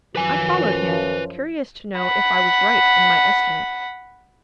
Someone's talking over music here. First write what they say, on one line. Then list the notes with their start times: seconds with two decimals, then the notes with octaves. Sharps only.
I followed him, curious to know if I was right in my estimate.
0.16 F#2 F3 B4 G#5
1.99 F#5 B5